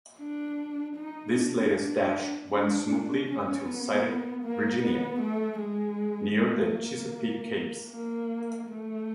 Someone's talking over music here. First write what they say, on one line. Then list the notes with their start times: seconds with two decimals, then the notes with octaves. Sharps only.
This latest dash went smoothly until sighted "Virginia" near the Chesapeake capes.
0.18 D4
0.95 D#4
1.34 D4
2.50 D4
3.28 C#4
3.66 B3
4.43 A#3
4.82 B3
5.20 A3
5.59 G#3
6.37 A3
6.74 A#3
7.91 A#3
8.68 A3